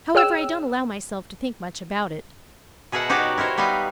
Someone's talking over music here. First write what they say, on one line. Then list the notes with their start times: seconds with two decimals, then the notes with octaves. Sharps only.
However, I don't allow myself to think much about it.
0.15 G#4 C#5 G5 E6 E7
2.92 B2 G#4 A#4 E5 F#5 A5
3.09 D#4 F#4 G4 C#5 D5
3.38 E4 A#4 C5 C#5
3.58 G3 B3 D#4 B4 F5